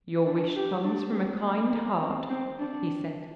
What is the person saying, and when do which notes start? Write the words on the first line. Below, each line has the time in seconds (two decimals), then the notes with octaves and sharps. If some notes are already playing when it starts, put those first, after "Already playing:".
"Your wish comes from a kind heart," he said.
0.26 D4
0.56 G4
0.84 D4
1.13 C4
1.43 A#3
1.72 A#3
2.01 C4
2.30 C4
2.59 D4